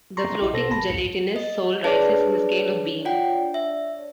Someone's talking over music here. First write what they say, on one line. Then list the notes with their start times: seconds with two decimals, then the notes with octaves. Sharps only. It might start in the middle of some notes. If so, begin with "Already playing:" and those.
The floating gelatinous soul rises in the scale of being.
0.17 A#5 C6 C#6 A#6
0.42 A#1 E4 G4 D#5 C6
0.53 B2 A4 C5 C6 A#6
0.71 G1 A5 B5 A#6
0.90 C2 F2 G#2 C#7
1.36 D#5
1.84 D4 G#4 B4 C#5 D5 A5
3.05 F4 F#5 G5
3.54 E5